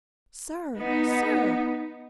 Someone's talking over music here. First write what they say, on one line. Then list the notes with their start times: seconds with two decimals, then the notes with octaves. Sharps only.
"Sir! sir!"
0.80 B3 D#4